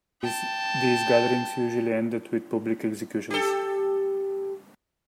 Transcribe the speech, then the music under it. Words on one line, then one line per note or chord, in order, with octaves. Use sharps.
These gatherings usually ended with public executions.
G5 A5
G4 A4